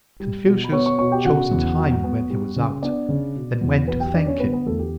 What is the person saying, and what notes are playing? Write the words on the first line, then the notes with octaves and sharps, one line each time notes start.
Confucius chose a time when he was out, and went to thank him.
G3
B2
B5
B3 C#5 C#6
C#5 C#6
B2 C#5 C#6
G4 G5
C#3 F#4 F#5
E2
F#3
B3
G3
C#3
B3 D4 D5
C#3
B2
E2
F#3 B3 B4
G4 G5
B3 D4 D5
C#4 C#5
D3 B3 B4
B3 B4
E2 A3 A4
G4